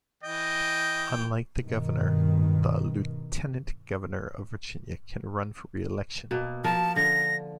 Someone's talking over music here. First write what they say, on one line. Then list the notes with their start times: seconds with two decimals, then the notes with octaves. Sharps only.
Unlike the governor, the Lieutenant Governor of Virginia can run for re-election.
0.23 E3 D#5 G5
1.62 G2 B2 D#3
6.31 B2 A#3
6.64 F3 A#4 A5
6.96 D3 A#6